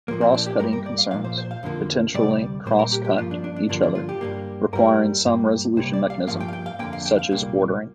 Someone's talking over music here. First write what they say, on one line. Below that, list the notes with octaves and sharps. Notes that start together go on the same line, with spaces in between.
Cross-cutting concerns potentially cross-cut each other, requiring some resolution mechanism, such as ordering.
A#2 F3 A#3
C4
D4
G4
G2 G3 A#3 A#4
A#4
D5
F5
A#2 F3 A#3 F5
C5
C5
F5
F2 D3 F3 A#3
D2 C3 G3 D5
A#2 G3 A#3 C5
A#4
G4
G4
G2 F3 A#3 F4
D4
D4
D4
G2 D3 F3 A#3 D4
D4
F4
G4
G2 G3 A#3
G2 G3 A#3 A#4
G2 G3 A#3
C2 C3 G3 A#3 C5
D5
F5
G2 F3 A#3 F5
G5
F5
G5
F5
F2 D3 A#3 G5
F5
G5
F5
C2 A#2 G3 A#3